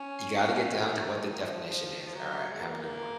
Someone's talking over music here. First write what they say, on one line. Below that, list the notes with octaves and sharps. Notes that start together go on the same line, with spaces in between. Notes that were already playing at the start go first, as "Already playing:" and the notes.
You gotta get down to what the definition is, aright, have a good one.
Already playing: C#4
D#3
F3
D#3
F3
F3
D#3
F3
F#3
G#3
A#3